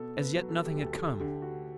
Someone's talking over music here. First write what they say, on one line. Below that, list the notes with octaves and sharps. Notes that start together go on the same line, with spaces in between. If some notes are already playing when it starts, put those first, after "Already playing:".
As yet, nothing had come.
Already playing: B2 A4
B4
F#3
A4
G4
D2 A4
A4
G4
D3 G4
F#4